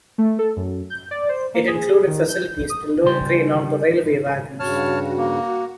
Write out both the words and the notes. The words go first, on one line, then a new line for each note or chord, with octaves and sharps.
It included facilities to load grain onto railway wagons.
A3
A4
F#2
G6
D5
C5
A#3
G#4
D#3
G6
D#6
C#3 G3 G4 C6
G2 C#3 F#4 C#5 A5 F6
A#3